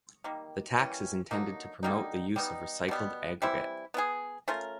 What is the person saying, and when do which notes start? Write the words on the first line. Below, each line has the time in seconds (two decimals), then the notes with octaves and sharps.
The tax is intended to promote the use of recycled aggregate.
0.24 D#3 G3 A#3
0.78 E3 G3 A#3 C#4
1.31 D3 F#3 A#3 D#4
1.83 D3 G3 A#3 D#4
2.36 G3 B3 D#4
2.88 B2 G3 B3
3.42 E3 G3 C4 E4
3.94 B3 E4 G#4
4.48 A3 C#4 F4 A#4